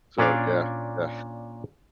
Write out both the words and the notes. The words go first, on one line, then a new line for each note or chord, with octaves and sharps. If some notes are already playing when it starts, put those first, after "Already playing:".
so yeah, yeah.
A#2 C#4 D4 D5 F5